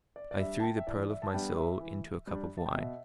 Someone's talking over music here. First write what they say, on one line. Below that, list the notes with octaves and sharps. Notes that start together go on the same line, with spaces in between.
I threw the pearl of my soul into a cup of wine.
D5
D5
G3 D4 E5
A5
G5
E5
E3 D5
E5
A5
G3 B3 D4 G5
E5
E3
G3 D4
A5
G5
B2 E5